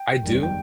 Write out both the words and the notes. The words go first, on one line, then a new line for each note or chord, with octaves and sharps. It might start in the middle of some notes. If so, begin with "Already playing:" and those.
I do.
Already playing: G5
F#1 E2 D#3 G3
G5